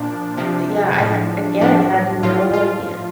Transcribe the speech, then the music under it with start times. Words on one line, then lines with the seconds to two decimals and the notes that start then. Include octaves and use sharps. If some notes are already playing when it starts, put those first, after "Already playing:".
Yeah, I, again, had no idea.
Already playing: A#2 F3 D4
0.37 C3 F3
0.99 A2 F3
1.61 A2 F3 D4
2.23 A2 F3 F4
2.54 F4